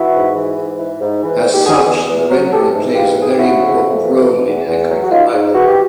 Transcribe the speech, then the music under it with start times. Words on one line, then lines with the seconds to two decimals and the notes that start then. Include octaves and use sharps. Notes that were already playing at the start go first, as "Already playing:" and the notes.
As such, the renderer plays a very important role in anchoring the pipeline.
Already playing: E3 E4 F#4
0.14 G#2
0.36 E3
0.58 G#2
0.78 E3
1.00 G#2
1.22 E3
1.44 G#2
1.53 G4
1.65 C#3 F#4 G#4
1.87 E2
2.09 E2
2.30 F#3
2.51 E3 G4 A4
2.73 G#2
2.95 E3 F4 G4
3.16 G#2
3.22 G#4
3.30 G4
3.38 C#3 E4 F#4
3.59 F2
3.81 F2
4.03 E3
4.24 B2
4.46 E2
4.67 E2
4.89 F#3
5.02 F#4
5.10 E3 D#4 F4
5.32 G#2
5.54 E3 F#4
5.67 G4